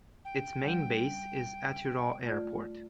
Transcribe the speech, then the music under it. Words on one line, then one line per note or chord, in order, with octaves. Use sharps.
Its main base is Atyrau Airport.
G5
G3 F#5 G6
A3 F4 D5